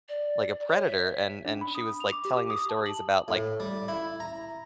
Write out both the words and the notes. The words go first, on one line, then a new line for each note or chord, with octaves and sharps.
like a predator, and and she was, like, telling me stories about, like,
D5
C#5
E5
D4
B5
D#6
F7
D6
G4
D6
D#6
A5
F#7
A2
G3
E4
A#5